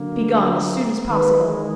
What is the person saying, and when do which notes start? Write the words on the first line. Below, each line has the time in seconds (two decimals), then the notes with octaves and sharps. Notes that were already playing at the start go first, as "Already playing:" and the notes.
Begone as soon as possible.
Already playing: D3 F#3 A#3
0.29 A#4
1.09 D#3 G#3 B4